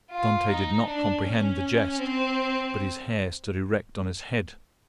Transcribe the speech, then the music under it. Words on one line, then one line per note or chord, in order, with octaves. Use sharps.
Dantes did not comprehend the jest, but his hair stood erect on his head.
F4
D#4
D4
C#4
C4